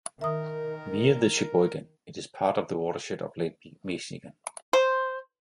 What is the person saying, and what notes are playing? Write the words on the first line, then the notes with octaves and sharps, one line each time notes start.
Via the Sheboygan, it is part of the watershed of Lake Michigan.
D#3 A#4 E5 D#6
C5